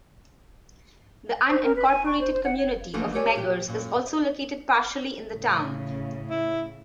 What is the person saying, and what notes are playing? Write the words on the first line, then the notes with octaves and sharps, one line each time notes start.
The unincorporated community of Meggers is also located partially in the town.
C5
A#4
B4
G#5
C#6
C5
C5
F#5
C#5
D3 E3 F3 A3 A#3
A3 G4 A#4 C#5 D5 G#5
A#2 G4
F#2 A#2
A2 C#3
E4